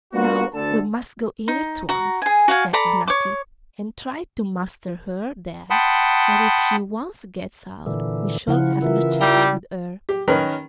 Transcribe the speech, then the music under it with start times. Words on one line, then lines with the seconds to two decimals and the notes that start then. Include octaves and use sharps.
'Now we must go in at once,' said Snati, 'and try to master her there, for if she once gets out we shall have no chance with her.
0.13 G3 A#3 B3 D4 F4 F#4
0.53 D2 D3 A4 A5
1.48 D#4
1.89 F#4 A#5
2.22 G#4 G#5
2.48 F#4 F5 G#5
2.73 A4 D5 A#5 B5
3.08 C#5 D6
5.70 F#5 G5 A5 B5 C6 D#6
7.86 A#2 D3 E3
8.48 C#3 F3 E4 F#5
8.82 E3 F4 A#4 E5
9.21 G3 G5 A#5
10.09 G4
10.28 D#3 C#4 A#4 B4